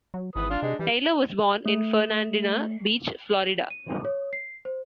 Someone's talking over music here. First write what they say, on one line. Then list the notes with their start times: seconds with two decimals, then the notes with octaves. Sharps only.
Taylor was born in Fernandina Beach, Florida.
0.14 F#3
0.36 G#1 E3 B4 D#6
0.50 D4 F4
0.62 C3 G#3 D#4
0.79 E3 G3
1.66 A3
3.70 D#7
4.05 C#5
4.33 C7
4.65 C5